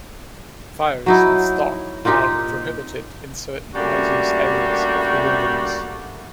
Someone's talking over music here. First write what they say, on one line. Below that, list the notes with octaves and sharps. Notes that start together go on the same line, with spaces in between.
Fires and stock are prohibited in certain high-use areas of the wilderness.
F#3 D#4 E4
A#2 C4 D#4 G4
G3 A3 A#3 C#4 D4 F#4